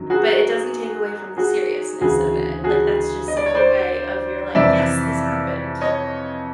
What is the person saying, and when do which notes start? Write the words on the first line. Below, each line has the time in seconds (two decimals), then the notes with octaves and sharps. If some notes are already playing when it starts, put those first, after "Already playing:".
but it doesn't take away from the seriousness of it, like, that's just, like, your way of you're like, "Yes, this happened,
Already playing: F#2 D#3 F#3
0.10 F#4 G#4
1.37 F#4 G#4
2.01 D2 C#3 E3 F#4 G#4
2.64 F#4 G#4
3.28 D#5
3.37 D5
3.46 C#5
3.55 C5 D5
4.55 F2 C3 E3 D5 E5
5.81 C#5 D#5